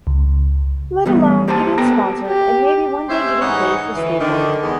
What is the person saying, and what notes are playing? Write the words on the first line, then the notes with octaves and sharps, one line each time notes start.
Let alone getting sponsored and maybe one day getting paid for skateboarding.
C#2
E2 G2 G3 A3 B3
A#3 G4 C5 G#5 A5
B3 G4 A4 G5 A5 A#5
G4
G#3 C#4 G4 C5 E5
G#2 E3 D#4 C#5 D#5 F#5
D2 E3
D3 D#3
E2 G#3 B3